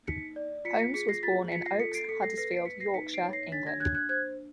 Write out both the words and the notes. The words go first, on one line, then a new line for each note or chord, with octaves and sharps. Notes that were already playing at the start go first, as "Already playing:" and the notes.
Holmes was born in Oakes, Huddersfield, Yorkshire, England.
D#4 B6 C#7
D5
F4 B6 C#7
B6 C#7
G#4 B6 C#7
A#6 C7
F4 A6 B6
F4 B6 C#7
A#6 C7
A4 B6 C#7
C7 D7
A4 B6 C#7
A#6 C7
B4 A#6 C7
C7 D7
B4 B6 C#7
A#6 C7
D#4 B6 C#7
C7 D7
C#5
A#6 C7
D4 A6 B6
G#6 A#6
D4 F#6 G#6
F#6 G#6
C5 F#6 G#6